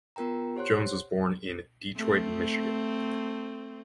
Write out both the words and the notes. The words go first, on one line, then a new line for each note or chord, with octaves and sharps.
Jones was born in Detroit, Michigan.
B3 F4 A#4 G5 A#5
G4 C5 C#5 F#5 C6 F#6
A3 C4